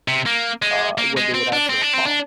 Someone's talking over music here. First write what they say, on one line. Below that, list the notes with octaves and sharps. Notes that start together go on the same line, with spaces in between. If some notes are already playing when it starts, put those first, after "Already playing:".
uh, when they would answer a call.
C3
A#3
G#3
A#3
G#3
C4
D4
C4
D4
C4
D4